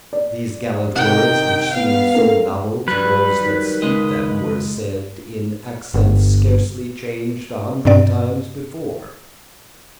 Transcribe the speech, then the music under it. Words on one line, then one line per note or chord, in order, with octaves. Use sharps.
These gallant words which seem so novel to those that speak them were said in accents scarcely changed a hundred times before.
D5
C3 D#3 G5
B3 F5
A3 C4 A#4
F#3 G3 B4
D#3
C#2 G#3 D#5
G1
G2 B2 C4 D5